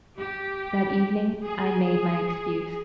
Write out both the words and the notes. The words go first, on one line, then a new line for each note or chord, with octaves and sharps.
That evening I made my excuse.
G4
G#4